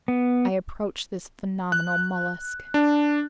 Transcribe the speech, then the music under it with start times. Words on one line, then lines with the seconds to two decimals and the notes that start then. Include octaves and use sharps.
I approached this phenomenal mollusk.
0.08 B3
1.72 F#6
2.74 D4